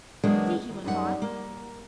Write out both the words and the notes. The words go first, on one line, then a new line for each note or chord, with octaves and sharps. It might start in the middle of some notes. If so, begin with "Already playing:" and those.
"See!" he went on.
E2 F#3 G#3 A#3 B3 D4
D#2
F#2 G3 D#4 F4 F#5
A#3